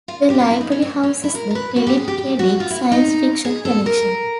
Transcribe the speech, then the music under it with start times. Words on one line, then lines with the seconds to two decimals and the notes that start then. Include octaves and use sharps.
The library houses the Philip K. Dick science fiction collection.
0.08 F4
0.30 G4
0.40 F4
0.50 E4
0.61 D#4
0.72 C#4
0.82 C4
1.03 C#4
1.24 E4
1.35 A#4
1.51 A#4
1.55 B4
1.76 F#4
1.87 G4
1.97 G#4
2.08 G4
2.18 G4
2.39 F#4
2.60 F4
2.70 E4
2.92 D#4
3.45 G#4
3.65 A4
3.86 A#4